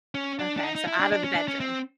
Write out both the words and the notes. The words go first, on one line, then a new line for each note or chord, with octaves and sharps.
Okay, so out of the bedroom?
C#4
D4
D4
D#4
D#4
E4
D4
D4
C#4
D4
C#4
C4